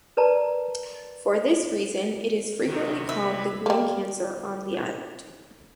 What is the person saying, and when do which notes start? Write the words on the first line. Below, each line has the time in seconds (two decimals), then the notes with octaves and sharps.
For this reason, it is frequently called the "green cancer" on the island.
0.17 A#4 B4 D5 A5 A#5
2.67 C3 D#3 F#3
3.09 B4 E5
3.66 G3 A#3